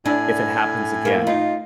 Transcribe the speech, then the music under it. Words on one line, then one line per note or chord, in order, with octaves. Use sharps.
if it happens again,
A2 D4 G#5
A3 A#3
D#4 F4